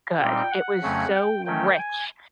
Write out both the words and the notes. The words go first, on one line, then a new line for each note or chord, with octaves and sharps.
good. It was so rich,
A#2 G3 C4 D#4 G5
F#5
F2 C#3 F#3 A3 C#4
G5
D#3 F#3 A3 C#4 G5
G#5